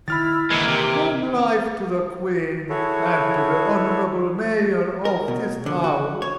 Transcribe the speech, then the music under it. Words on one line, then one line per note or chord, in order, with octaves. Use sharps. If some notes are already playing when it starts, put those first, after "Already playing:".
Long life to the queen and to the honorable mayor of this town!
D#3 E4 B5 F6 A6
D#3 E3 G#3 A#3 E4 G#6 C7 C#7
C3
E4 F#4 G#4 A4 C#5
A#4
B2
D3
F#4
C#5